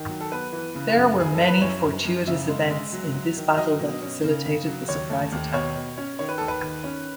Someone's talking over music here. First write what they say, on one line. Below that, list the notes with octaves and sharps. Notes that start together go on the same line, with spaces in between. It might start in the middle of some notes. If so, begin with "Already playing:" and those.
There were many fortuitous events in this battle that facilitated the surprise attack.
Already playing: D#3
F#3
A4
B3 B4
E3
C#3
F#2
F#2 G#4
A4
E3
B4
F#2 C#5
F#2
F#2
C#3 E5
G#3
G#3
F#3
F#3
D#3
E5
F#3 D#5
B2
C#4
C#3
C#3
F#3
D#2 C#5
A3
D#2
B2 C#5
B2
C#4
D#3 C#5
B4
D#2 A4
B4
D#3
C#4